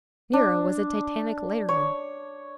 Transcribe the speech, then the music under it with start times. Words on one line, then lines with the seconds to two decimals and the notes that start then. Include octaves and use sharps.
Nero was a titanic lighterman.
0.33 D4
1.69 C#5